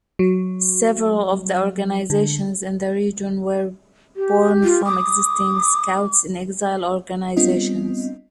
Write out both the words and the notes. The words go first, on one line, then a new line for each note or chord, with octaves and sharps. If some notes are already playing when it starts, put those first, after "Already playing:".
Several of the organizations in the Region were borne from existing Scouts-in-Exile organizations.
F#3
D3
G4
F4
D6 D#6
G3 B3 C4 D4 F4 D#5